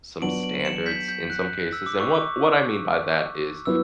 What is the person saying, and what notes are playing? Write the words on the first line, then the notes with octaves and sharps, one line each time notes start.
some standards in some cases. And what what I mean by that is,
F#3 B3 D4 F#4 B4 D7 F#7
D7 F#7
F#7
C#7 E7
G6 B6
G6
F#6
E6
D6
C#6
D6
F#3 B3 E4 B4 E6